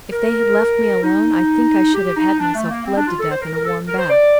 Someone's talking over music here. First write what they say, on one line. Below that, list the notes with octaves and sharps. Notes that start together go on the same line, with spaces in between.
If they had left me alone I think I should have had myself bled to death in a warm bath.
A#4
D#4
G4
D#4
D4
A3
A#3
C4
D4
F4
A4
C5
A#4
A#4
A4
A#4
C5
D5